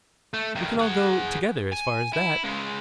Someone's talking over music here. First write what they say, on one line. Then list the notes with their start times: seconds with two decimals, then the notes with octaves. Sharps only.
We can all go together as far as that.
0.34 A3
0.55 G2 D#3
0.79 G#4 F#5
1.73 G#5
2.13 E4
2.44 C#3 G#3